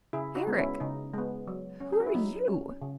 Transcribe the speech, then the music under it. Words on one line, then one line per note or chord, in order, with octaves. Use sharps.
"Eric,--who are you?"
C#3 E4 G#4
D#4 F#4
G#3 B3
C#4 E4
C#3 D#4
G#3 B3
F#3
C#4
G#4
F#4
E4
F#3 D#4
C#4
C#3